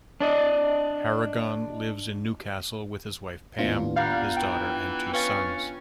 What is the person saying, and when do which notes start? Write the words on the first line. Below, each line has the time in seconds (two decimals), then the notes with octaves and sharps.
Harragon lives in Newcastle with his wife Pam, his daughter and two sons.
0.21 D4 D5 D#5
3.59 D#2 A2 B3 D4 F4
3.96 G3 F5 F#5 A#5 F#6
4.37 E3 G5
5.13 C#4 B4 F5 A6